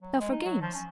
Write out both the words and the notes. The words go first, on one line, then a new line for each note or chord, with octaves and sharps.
Now for games!
F#3
G#3
D#4
F#3
F3
C#4